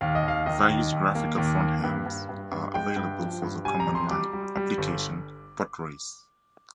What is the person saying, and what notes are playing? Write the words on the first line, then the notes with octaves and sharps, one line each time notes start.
Various graphical frontends are available for the command-line application Potrace.
D#2 F5
D#5
D#2 F5
D#3 D#5
D#2
D#2
A#3
D#2
A#3
G2
G2
G2
G2
G#3 G5
G2
F3
G2
G3 G#5
A#5
F2
C6
G3 D6
G3
G3
G1